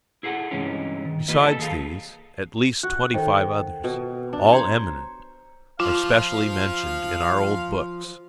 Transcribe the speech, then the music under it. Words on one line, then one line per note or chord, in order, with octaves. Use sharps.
Besides these, at least twenty-five others, all eminent, are specially mentioned in our old books.
E4 G#4 A4 F#5
G2 C3 E3 G#3 C#4 D#4
D#3
G3 A#3 F4 B4 D#5
A4 A5
D#2 G#4 A4 F5
F#4 F#6
D#3 A4 C5 G5
B2
D4
C5 C#5 A#5
F3 F4 F5